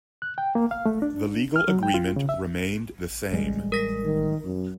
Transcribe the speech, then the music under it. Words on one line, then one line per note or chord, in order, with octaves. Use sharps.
The legal agreement remained the same.
F#6
G5
A#3
F5
A3
D4
F6
F#3
G5
F4
C#3
E5
A1 G3 G#3
A#4 A#6 B6
D#3
F#2